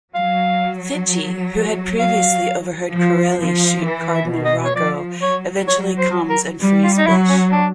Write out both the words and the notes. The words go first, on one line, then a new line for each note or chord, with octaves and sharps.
Fitchie who had previously overheard Corelli shoot Cardinal Rocco eventually comes and frees Bish.
F#3 F5
F5
F3
F3
E3
E5
B2
D#5
C#5
F3 D5
F#3 C#5
C#5
C5
A#4
G3
F4
D#4
F#3 E4
C#4
D4